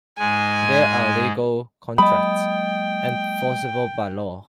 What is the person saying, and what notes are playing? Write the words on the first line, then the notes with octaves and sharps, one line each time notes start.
There are legal contracts, enforceable by law.
G#2 G#3 G#5
F#3 G#3 A#3 D#5 G5 B5 D#6